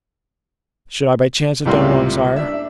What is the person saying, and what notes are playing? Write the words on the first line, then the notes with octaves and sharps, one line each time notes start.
"Should I by chance have done wrong, sire?"
C#2 A2 C3 G3 A#3 C6
D4 E5